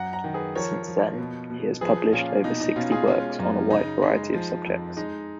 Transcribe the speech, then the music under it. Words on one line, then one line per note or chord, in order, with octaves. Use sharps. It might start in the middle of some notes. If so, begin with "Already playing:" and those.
Since then, he has published over sixty works on a wide variety of subjects.
Already playing: F#2 F#5 A#5
F#5 A#5
D#3
G#4 B4
F3 A#4 C#5
F3
B2
B2
F3 G#4 B4
A#2 C#4 F4
B2 D#4
D#4
B2 C#4 F4
F4 G#4
G#3 C#4 F4
F#2
C#3 D#4
G#3
F3
F2
G#3 D#4